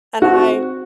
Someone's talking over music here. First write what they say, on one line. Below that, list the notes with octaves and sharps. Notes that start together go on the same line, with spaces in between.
And I
C4 F#4